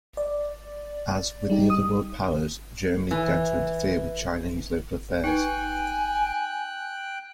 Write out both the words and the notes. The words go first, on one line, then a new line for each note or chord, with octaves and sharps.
As with the other world powers, Germany began to interfere in Chinese local affairs.
D5
G3 D#4 G4
D#6
E3
D#4 B4 G5 G#5 F#6